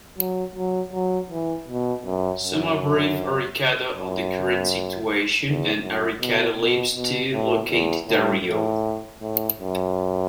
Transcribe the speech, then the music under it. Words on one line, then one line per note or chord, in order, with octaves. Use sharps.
Soma briefs Arikado on the current situation, and Arikado leaves to locate Dario.
F#3
F#3
F#3
E3
B2
F#2
F#2
F#2
E2
F#2
B2
B2
B2
A2
E2
A2
A2
A2
F#2